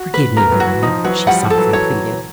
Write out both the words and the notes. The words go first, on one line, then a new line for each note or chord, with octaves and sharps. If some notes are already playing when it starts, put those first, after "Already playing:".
"Forgive me, William," she softly pleaded.
Already playing: F#4
B4
A3 B3 A#4
E3 F#3
F#4
E3
F3 D#4
E3 F#3 F#4
F3 G3 F#5
F3
A4
E3 F#3
E3 F#3 C#5